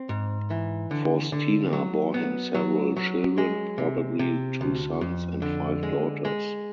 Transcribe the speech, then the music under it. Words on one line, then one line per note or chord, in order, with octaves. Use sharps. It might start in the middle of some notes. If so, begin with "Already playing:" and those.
Faustina bore him several children, probably two sons and five daughters.
Already playing: C4
G#2
E3
D3
D3
F#3
B3
F#3
F#3
G#3
C3
C3
D2
F2
D3
G#3
G#3